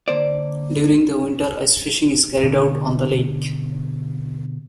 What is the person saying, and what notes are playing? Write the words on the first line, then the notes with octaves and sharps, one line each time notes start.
During the winter, ice fishing is carried out on the lake.
D3 A#3 C5 D5
B2 D3